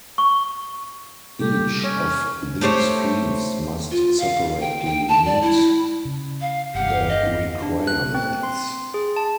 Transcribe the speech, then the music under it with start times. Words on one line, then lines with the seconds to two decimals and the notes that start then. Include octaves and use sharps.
Each of these fleets must separately meet the requirements.
0.18 C#6
1.41 C3 G3 G4 A4
1.84 C#4 C#5
2.61 A3 G4 C5 C#5
3.91 F4
4.20 F5
4.60 G5
4.85 G5
5.08 A5
5.26 D5
5.42 E4
6.05 C#3
6.41 F5
6.75 G1 G4 F5 F#5
7.09 D#5
7.62 D4
7.87 F#6
8.15 C4
8.43 C6
8.94 G#4
9.16 A5